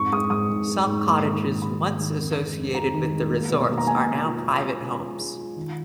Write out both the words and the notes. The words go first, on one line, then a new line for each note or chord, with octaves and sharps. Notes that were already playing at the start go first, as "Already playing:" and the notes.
Some cottages once associated with the resorts are now private homes.
Already playing: F2 G#2 C#6
G#3 D#6
G#2 D#6
G#2
G#3
G#2
A#3
D#3
A#3
A#3 B5
D#3
D#3
F2
G#3
F2
G#3 A#5
D#3
G#3
A#3
B2
A#3
A#5
A#3 G#5
B2
F4
F4
G#3
C#4
F4
G#3
F4
D#3